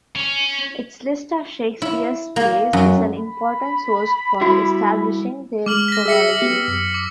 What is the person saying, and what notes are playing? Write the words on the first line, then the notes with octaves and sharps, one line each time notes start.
Its list of Shakespeare's plays is an important source for establishing their chronology.
C#4
E4
A#3
F#2
B5
G3 E4 F#4
G#3 D6 F6 F#7
A#6 B6
G#4 E5 E6 B6 C#7
B3 G4
F#2
D6